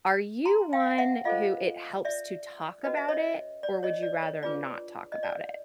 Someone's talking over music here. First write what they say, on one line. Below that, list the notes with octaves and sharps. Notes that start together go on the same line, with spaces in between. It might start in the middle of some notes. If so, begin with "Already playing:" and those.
are you one who it helps to talk about it, or would you rather not talk about it?
A#5 C6
F5 G5
E5 F#5
F4 A4 C5 D#5 F5
D5 E5
C#4 F#4 B4 D#5
E5
C#5 D#5
D5
C#5 D#5
D5
C#5
D4 F4 G#4 B4 D5
D#5
D5